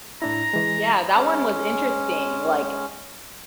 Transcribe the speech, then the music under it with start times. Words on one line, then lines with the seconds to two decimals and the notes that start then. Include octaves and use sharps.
Yeah, that one was interesting, like,
0.22 A2 D4 E4 A#5
0.53 E3 G#3
1.15 G#3 C#4